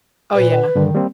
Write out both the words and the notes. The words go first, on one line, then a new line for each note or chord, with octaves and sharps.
Oh, yeah.
A#2 B4
G2 D3 D#3 G3
G3 A#3 C4